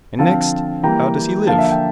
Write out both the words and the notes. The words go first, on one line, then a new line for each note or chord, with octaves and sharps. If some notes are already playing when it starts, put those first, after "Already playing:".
And next, how does he live?
D3 F3 C4 F5 A5
E3 G3 A#3 G5 A#5
D3 F3 A#3 F5 A5
E5
F5
G5